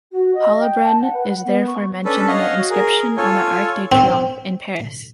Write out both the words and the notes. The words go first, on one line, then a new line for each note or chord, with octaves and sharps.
Hollabrunn is therefore mentioned in the inscription on the Arc de Triomphe, in Paris.
F#4
D#5
G5
A5
F#5
B4
F#5
B3
C#6
C#4 D4 A4 B4
C#5 D#5 F5 F#5
F#4
G#4 A#4
F4 A4 C#5 G#5
C4